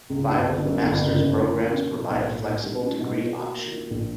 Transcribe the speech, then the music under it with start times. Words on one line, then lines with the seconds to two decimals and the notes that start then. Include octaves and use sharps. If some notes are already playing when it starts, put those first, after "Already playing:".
Five of the masters programs provide a flexible degree option.
0.10 C#2
0.28 G2
0.47 G1
0.65 F#2
0.83 G1
1.01 F#1
1.19 F#2
1.38 D3
1.56 A#3
1.73 C#4
1.91 B2
2.10 B1
2.28 A#2
2.46 A#2
2.64 G3
2.82 C#4
3.00 B2
3.18 A#3
3.37 F#4
3.55 A#3
3.73 A#3
3.90 A#1